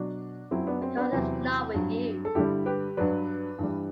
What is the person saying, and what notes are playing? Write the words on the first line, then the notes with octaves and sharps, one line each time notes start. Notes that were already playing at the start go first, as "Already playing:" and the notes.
Because is not with you.
Already playing: B2 F#3 D4 F#4
F#2 F#3 C4 E4
B3 D4
C4
B3 D4
E2 C3 F#3 C4 E4
G2 F#3
A4
G2 D3 G3 E4 G4
G4 B4
G2 F#3 B4 D5
G2 E3 G3